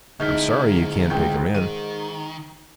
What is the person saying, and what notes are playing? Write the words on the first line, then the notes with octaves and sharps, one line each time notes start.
I'm sorry you can't take him in.
D2 G#2 D#4 E4 F6 G6 B6
C#2 G5 G6
D#3 D#7